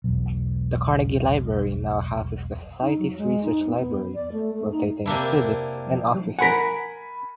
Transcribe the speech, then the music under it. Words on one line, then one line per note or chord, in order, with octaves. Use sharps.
The Carnegie Library now houses the Society's research library, rotating exhibits, and offices.
E1 B1
D#4
F#3
G#3
D#4
B3
D5
A3
A3
D#4
C3 A#3 D4 E4
A#4 F#5 G#5 B5 B6